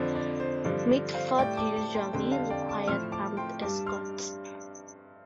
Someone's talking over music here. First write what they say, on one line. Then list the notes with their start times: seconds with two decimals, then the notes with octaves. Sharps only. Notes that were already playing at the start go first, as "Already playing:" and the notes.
Mitford usually required armed escorts.
Already playing: F2 D3 F3 D5
0.15 D5
0.40 C5
0.64 G2 D3 F3 D5
0.89 D5
1.14 C5 F5
1.38 A2 G3 D5 G5
1.57 A5 D6
1.76 A5 D6
1.94 G5 C6
2.13 F2 D3 G3 G5 C6
2.32 F5 A5
2.50 D5 G5
2.69 A5 D6
2.87 A2 F3 C6 F6
3.12 A5 D6
3.37 G5 C6
3.62 G2 G3 A5 D6
3.86 C6 F6